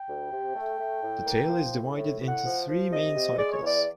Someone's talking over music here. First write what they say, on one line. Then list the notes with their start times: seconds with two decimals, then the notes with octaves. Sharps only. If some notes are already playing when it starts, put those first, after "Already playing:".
The tale is divided into three main cycles.
Already playing: G5
0.08 D2
0.32 C3
0.56 A3
0.80 A3
1.03 A2
1.26 A#3
1.50 F3
1.73 A2
1.97 A2
2.21 A2
2.28 F#5
2.45 F3
2.68 F3
2.91 C3 D#5
3.15 C3
3.38 G#3 D5
3.52 C#5
3.62 E2 D5